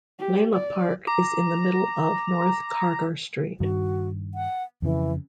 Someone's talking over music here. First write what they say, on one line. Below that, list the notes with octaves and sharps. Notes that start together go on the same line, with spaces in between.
Laleh Park is in the middle of North Kargar street.
G4
D5
A#5 D6
G2 D#3 F#4
F#5
F2 C#3 E3